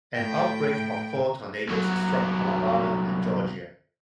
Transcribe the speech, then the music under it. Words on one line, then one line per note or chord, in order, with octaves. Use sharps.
An outbreak of four tornadoes struck Alabama and Georgia.
A2 G5
C2 F#3